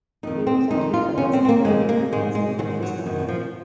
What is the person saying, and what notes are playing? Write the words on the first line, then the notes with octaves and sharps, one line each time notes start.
Who exactly funds the Global Frequency is not known.
F2 D#3 D#4
C4
F2 D#3 D#4
F4
F2 D#3 C#4
C4
C4
A#3
F2 D#3 G#3
A#3
G#2 D#3 G#3
G#3
G#2 D#3 F#3
F#3
F#2 D#3
F3